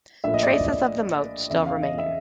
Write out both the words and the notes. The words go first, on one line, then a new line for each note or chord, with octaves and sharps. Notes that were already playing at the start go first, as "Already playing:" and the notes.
Traces of the motte still remain.
A#1 A2 F3 A#3 D4 E5
D#5
D5
D#5
E2 C#3 E3 E5
F5
D#5
E5